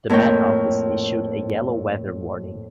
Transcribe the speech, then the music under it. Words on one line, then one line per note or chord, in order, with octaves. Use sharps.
The met office issued a yellow weather warning.
F2 A2 A#3 A#4 C#5 G5